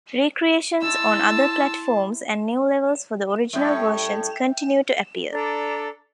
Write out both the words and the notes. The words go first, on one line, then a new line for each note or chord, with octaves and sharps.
Recreations on other platforms, and new levels for the original versions continue to appear.
E4 A5 C6 E6
A2 G3 C#4 E5 G5
D4 A4 D5 A#5